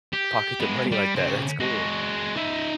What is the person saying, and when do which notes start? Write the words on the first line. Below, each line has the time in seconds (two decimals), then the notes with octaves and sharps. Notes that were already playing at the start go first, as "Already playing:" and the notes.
Pocket the money like that, that's cool.
0.13 G4
0.60 G#3 B3
0.92 G3
1.16 C#3 C4
1.60 G#3 F#4
2.37 D#4 E5